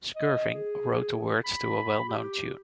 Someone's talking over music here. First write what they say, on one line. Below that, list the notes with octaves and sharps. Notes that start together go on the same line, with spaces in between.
Skirving wrote the words to a well known tune.
D#5
G#4
B5
G4